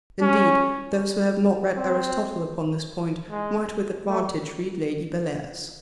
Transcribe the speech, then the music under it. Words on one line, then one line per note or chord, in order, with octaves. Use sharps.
Indeed, those who have not read Aristotle upon this point might with advantage read Lady Bellairs.
C#4
C4
G#3
A3